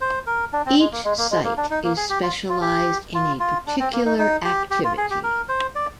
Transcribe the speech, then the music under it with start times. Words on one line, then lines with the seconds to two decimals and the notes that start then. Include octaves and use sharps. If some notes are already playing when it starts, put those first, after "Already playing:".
Each site is specialised in a particular activity.
0.01 C5
0.27 A#4
0.53 D4
0.66 C4
0.79 G#3
0.92 A#3
1.04 G#3
1.18 A#3
1.30 G#3
1.44 A#3
1.57 D4
1.70 D#4
1.84 A#3
1.96 G#4
2.09 G4
2.23 F4
2.49 F4
2.61 G4
3.14 F4
3.40 F4
3.67 D4
3.80 C4
3.93 A#3
4.05 D#4
4.18 D#4
4.44 G4
4.70 G4
4.84 F4
4.97 G#4
5.10 G4
5.24 A#4
5.49 C5
5.75 D5